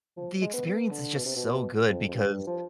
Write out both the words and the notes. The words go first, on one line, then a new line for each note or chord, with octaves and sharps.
The experience is just so good because,
F3
G#3
B3
B3
D3
B2
C3
B2
F2
F2
G2
G2
F3